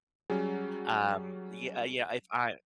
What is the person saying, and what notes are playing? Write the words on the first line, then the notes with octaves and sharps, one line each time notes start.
um, yeah, uh, yeah, if I
F#3 G3 C#4 G#4